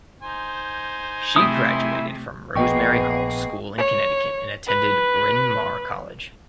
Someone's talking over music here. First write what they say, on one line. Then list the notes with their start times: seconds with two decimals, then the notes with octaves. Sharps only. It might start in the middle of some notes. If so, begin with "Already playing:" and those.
She graduated from Rosemary Hall School in Connecticut and attended Bryn Mawr College.
0.22 D#4 C5 G#5
1.36 C3 A3 E4 D#6
2.56 A#1 A#3 B3 G#4 D#5 G5 C#6
3.78 C#5
4.66 B4